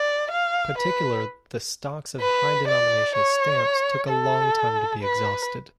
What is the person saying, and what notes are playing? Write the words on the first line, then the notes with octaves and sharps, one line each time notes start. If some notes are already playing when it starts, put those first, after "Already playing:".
Particular the stocks of high denomination stamps took a long time to be exhausted.
Already playing: D5
F5
B4
B4
D5
C#5
A4
B4